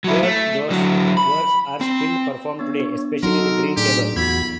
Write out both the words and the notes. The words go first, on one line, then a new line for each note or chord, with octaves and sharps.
Kurt Jooss works are still performed today, especially "The Green Table".
F#3 E4
A3
D3 F#3
B5
C4
B3 D4 C#5 A6
F#3 D#4 F#4 A4 A#4 C6
A2 D4 G4 G#4
E2 B3 F4 F#4 B5 G#6